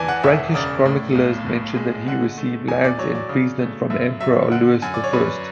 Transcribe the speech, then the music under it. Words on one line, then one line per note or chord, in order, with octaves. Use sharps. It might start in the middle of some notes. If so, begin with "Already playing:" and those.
Frankish chroniclers mention that he received lands in Friesland from Emperor Louis the First.
Already playing: E2 E3 D5 G#5 A5
F#5
E1 E5
C#3 D5
A2
B1
B1
G#3
D3 F#5
A3
E2 G#5
D5
F#3 C#5
D5
C#3
A3
F#2 E5
F#3 E5
D3 F#5
F#2 G#5
D5
C#5
F#2 B4